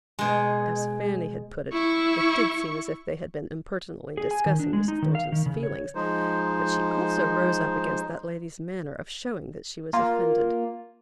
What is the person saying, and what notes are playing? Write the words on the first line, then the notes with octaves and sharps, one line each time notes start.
As Fanny had put it, it did seem as if they had been impertinently discussing Mrs. Thornton's feelings; but she also rose up against that lady's manner of showing that she was offended.
B2 G#3
E4 C#6
G#4
G#5
D#3
D4
G#3
D#4
D#3
F5
D#3
C#3
C#5
F3 G#3 D#4 C5
A#3 F4